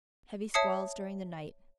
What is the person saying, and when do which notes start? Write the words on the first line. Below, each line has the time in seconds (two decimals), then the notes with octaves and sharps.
Heavy squalls during the night.
0.54 C#5 E5 A5 D#6 C7 C#7